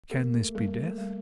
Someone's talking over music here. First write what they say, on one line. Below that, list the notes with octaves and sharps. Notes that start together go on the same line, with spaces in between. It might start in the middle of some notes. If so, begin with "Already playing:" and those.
'Can this be death?
A#3 G4
A3
G3 A#3
A3
G3